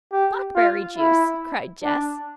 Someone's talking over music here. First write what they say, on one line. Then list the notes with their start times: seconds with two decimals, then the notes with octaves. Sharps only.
"Blackberry juice!" cried Jess.
0.13 G4
0.56 F4
0.99 E4
1.84 D4